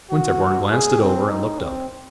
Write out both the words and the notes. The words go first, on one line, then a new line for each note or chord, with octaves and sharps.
Winterborne glanced it over and looked up.
F#4
G#4
C4
D#4
C4